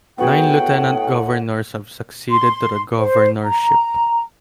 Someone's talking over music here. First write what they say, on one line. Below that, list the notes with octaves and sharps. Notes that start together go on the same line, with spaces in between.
Nine lieutenant governors have succeeded to the governorship.
A2 B3 F#4 G#4 F#5 G5
C6
C5
A#5